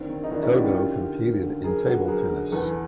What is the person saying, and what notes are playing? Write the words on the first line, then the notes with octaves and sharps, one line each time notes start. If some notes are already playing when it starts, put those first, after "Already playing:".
Togo competed in table tennis.
Already playing: D#2 C4 D4
D#3
D#4
D#2 D4 E4
C#4 D#4
D#3 E4 F#4
F4 G4
D#2
D3
D#2
D3
F#2 G#4 A#4
D3 F#4 G#4
B4
F#2 G#4 A#4
D3
E2 A4 B4